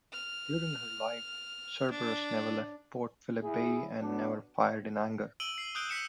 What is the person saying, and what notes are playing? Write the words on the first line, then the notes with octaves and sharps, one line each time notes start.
During her life, "Cerberus" never left Port Philip Bay, and never fired in anger.
F6
D4
E4 G#4
F#3 B3 D4
E6 D7 D#7 F#7 G7
C7
D#6 F#6 G6 D7 G7
E6 B6 C#7 E7